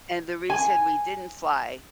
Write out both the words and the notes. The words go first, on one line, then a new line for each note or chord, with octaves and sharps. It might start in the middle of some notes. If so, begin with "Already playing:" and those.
and the reason we didn't fly
G#5